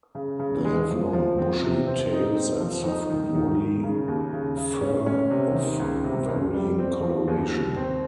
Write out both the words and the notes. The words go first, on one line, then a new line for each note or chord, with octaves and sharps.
They have long, bushy tails and soft, woolly fur of varying coloration.
C#3
C#3
G#3
F3
F3
C4
C3
C4
D#4
C4
F3
D#4
D#3
D#3
D#3
C#3
D#2
C#3
C#3
C#4
C#4
C3
D#3
C#2
C3
C#2
G3
C4
F3
D#2
D#2
C4